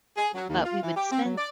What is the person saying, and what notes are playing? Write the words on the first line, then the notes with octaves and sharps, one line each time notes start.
but we would spend
G#4
F#3
D#2
F4
E3
G4
C4
F#3
D5